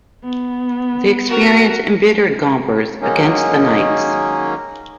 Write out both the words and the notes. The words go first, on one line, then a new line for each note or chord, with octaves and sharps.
The experience embittered Gompers against the Knights.
B3
F#4 A#4
D#3 F#3 G#3 A#3 C#4 D#4